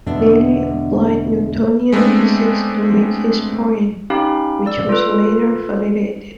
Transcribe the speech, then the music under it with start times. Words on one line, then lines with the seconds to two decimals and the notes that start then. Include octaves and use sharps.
Daly applied Newtonian physics to make his point, which was later validated.
0.06 E2 B2 D3 D4 E5
1.92 G#3 A3 B3 C4 D4
4.10 C#4 D#4 G4 F5 G5 B5
4.66 D5 E6
4.89 F4 A4 B4